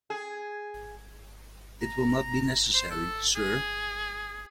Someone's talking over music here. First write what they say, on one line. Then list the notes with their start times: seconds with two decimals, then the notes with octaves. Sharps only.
It will not be necessary, sir.
0.10 G#4
1.81 A#5
2.74 C5
2.91 A4
3.36 G#4